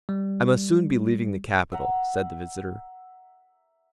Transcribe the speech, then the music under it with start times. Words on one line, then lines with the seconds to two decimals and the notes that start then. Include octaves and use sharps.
"I must soon be leaving the capital," said the visitor.
0.09 G3
1.72 E5 F#5 A#5